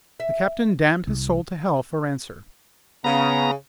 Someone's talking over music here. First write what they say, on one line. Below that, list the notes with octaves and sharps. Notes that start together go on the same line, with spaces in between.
The Captain damned his soul to hell for answer.
E5
C2
C#3 B3 A#5